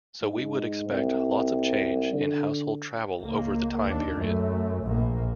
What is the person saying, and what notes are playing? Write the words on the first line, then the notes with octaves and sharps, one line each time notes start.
So we would expect lots of change in household travel over the time period.
G#2
C2
D3
C#2 A#3
D#2 D4
F#2 A3
A#1 A#3